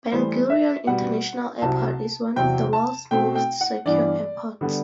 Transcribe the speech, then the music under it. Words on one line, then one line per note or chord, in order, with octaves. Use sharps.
Ben Gurion International Airport is one of the world's most secure airports.
A2 E3 G3 C5
E5
B2 G3 B3 F#5
C2 C3 F#3 C4 A5
E2 C3 F#3 C4 G5
A5
B2 A3 C4 G5
G5
F#5
G2 E3 G3 B3 D5
D3 G3 B3